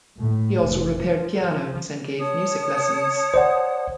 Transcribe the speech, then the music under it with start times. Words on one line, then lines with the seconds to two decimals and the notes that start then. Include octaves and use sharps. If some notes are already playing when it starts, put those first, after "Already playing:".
He also repaired pianos and gave music lessons.
0.18 A2
0.63 F1
1.00 F3
1.44 F3
2.19 C#5 A5 D#6
3.34 C5 D5 F#5